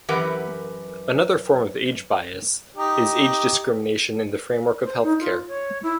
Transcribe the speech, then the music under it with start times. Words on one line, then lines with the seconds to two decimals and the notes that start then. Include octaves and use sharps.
Another form of age bias is age discrimination in the framework of health care.
0.08 F#2 E3 G4 A#4 B4 F#5
2.76 D#4 G4
4.83 C5
5.04 D#4
5.19 F4
5.48 C#5
5.83 E4